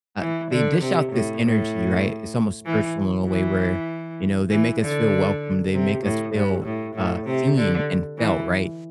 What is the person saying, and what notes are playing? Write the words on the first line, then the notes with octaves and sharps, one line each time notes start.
uh, they dish out this energy, right? It's almost spiritual in a way where, you know, they make us feel welcome, they make us feel, uh, seen and felt, right?
E3
D3
C3
A2
A2
E3
E3
E3
D3
C3
A2
G2
A2
A2
C3
D3
E3